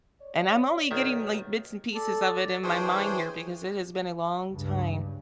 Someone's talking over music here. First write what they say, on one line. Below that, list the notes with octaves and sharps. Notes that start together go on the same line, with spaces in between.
And I'm only getting, like, bits and pieces of it in my mind here because it has been a long time
C#5 D5
B1 D#3 E5
A4 D5
E3 D4 G#4 C5 C#5 G5
C#2 G2 C#3